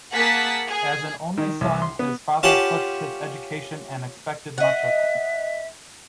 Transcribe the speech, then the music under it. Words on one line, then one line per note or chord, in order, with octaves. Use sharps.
As an only son, his father pushed his education and expected much of him.
A#3 G#4 F#5 A5 B6
G#4
D#3
C2
C6
B3
C#4 F4 G4 F#5 A5
D#5 E5 F#5